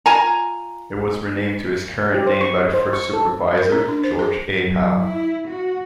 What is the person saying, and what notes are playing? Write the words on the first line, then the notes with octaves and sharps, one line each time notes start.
It was renamed to its current name by the first supervisor, George A. Howe.
F4 G#5 A#5
G4
C5
C#6
D#5
C5
C#6
A4
A#4
C#4
D4
C5
G#4
F#3
E4
F#4